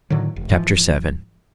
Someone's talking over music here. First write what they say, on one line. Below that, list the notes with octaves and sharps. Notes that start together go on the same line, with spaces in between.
Chapter VII.
A2 D3 D#3 F#3
F1
G#2 E3 F3